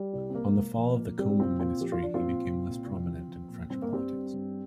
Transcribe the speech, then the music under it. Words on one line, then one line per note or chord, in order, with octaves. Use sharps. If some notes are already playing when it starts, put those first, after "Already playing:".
On the fall of the Combes ministry he became less prominent in French politics.
Already playing: G3
C2
C4
C2 A#3
C2
F3
A#2
A#2 G3 C4
C2 C4 F4
A#2 C4 F4
F3 G4
F4
F3 D4
C4 F4
A#2
C2
A#2
C2
F3
F3
A#2
G2 C4
A#3
G2 G3 C4
G2
G2